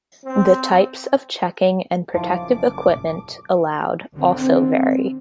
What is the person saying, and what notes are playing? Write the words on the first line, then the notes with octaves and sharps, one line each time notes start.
The types of checking and protective equipment allowed also vary.
C4
F#1 C#3 F3 E4 F4 A5 D6
D3 C4